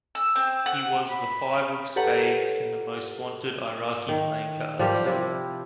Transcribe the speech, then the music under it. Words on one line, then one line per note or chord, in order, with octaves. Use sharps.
He was the five of spades in the most-wanted Iraqi playing cards.
E6
C4
F#5
B5
G4 A4 B4 C#5 F#5 A#5
D#3
F3 G3 G4 A#4
C3 F3 E4